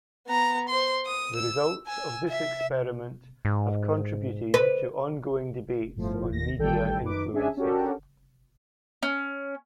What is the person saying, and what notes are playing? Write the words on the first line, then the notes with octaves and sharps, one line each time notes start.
The results of this experiment have contributed to ongoing debates on media influences.
B3 A#5
C5 C6
D#6
E6
G#5 E6
E5
G#2
B4
G1 A2 F3
D#2 A#6
A1 D#3 G3 A4 G5
F#2 D#4 B4 D6
C#4 D4 G#4 E5 G#5
C#4 D4 F#4 G4 A4 A#4
C#4